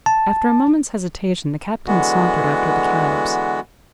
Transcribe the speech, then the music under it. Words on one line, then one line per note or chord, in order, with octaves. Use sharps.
After a moment's hesitation, the captain sauntered after the cabs.
A5
D3 E3 G#3 B3 F#4